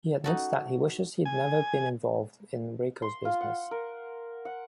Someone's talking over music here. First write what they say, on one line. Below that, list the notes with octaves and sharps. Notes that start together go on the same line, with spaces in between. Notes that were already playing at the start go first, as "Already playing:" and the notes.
He admits that he wishes he'd never been involved in Reiko's business.
D#4 F#4 A4
G#5
C6
F4
F#5
A#4
F#5